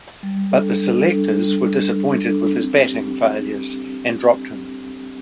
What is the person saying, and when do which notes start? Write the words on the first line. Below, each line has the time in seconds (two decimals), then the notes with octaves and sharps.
But the selectors were disappointed with his batting failures and dropped him.
0.23 G3
0.51 D4 A4
0.80 G3
1.09 D4 A4
1.38 G3
1.67 D4 A4
1.95 G3
2.24 D4 A4
2.52 C4
2.82 G4